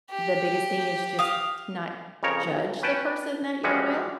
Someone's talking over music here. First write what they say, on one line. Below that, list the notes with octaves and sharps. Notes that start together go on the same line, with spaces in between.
the biggest thing is just to not judge the person that you're with,
G4
F5 D#6
F2 C#3 A#4 C#5 A#5
B1
C#4 B4 G5 A5
E3 F3 G3 G#3 C#4 F#4